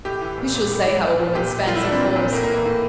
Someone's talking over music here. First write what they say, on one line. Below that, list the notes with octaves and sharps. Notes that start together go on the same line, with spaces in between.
Who shall say how a woman's fancy falls?
A2 G4
E3
A#2
A#2
A2
E3
A#2
A#2
A#2 G4
A#2
A2 F4
E4
E3 D4
C4
A#2
A#2
A2 A#3
A#3
E3
A#3
A2